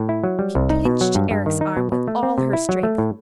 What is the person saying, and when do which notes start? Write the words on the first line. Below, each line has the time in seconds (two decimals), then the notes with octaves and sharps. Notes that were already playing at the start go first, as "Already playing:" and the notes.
She pinched Eric's arm with all her strength.
Already playing: A2
0.09 E4
0.24 F#3
0.39 G3
0.55 C2
0.70 D#4
0.85 B2
1.01 F#3
1.15 G2
1.31 G2
1.46 D#3
1.61 D#4
1.77 B2
1.92 B2
2.08 A3
2.23 C4
2.38 C3
2.53 E4
2.69 F#3
2.83 A3
2.98 A2